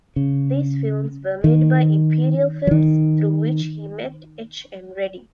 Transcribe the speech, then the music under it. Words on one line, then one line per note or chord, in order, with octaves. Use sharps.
These films were made by Imperial Films, through which he met H. M. Reddy.
C#3
D#3
F3
D#3